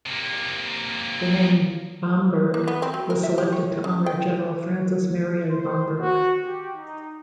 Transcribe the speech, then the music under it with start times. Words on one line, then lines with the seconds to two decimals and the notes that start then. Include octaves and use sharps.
The name Bamberg was selected to honor General Francis Marion Bamberg.
0.06 C3 A#3
2.54 A#3
2.68 B3
2.82 C4
2.94 F#3
3.10 A#4
3.23 E5
3.38 G4
3.52 C#5
3.84 C#3
4.06 G5
5.49 C5
6.01 F#4
6.44 G4
6.76 D#4